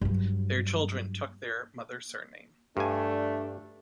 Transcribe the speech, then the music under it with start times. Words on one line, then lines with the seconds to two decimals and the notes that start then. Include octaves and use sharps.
Their children took their mother's surname.
0.01 G2 F#3
2.77 G2 A3 D4 G#5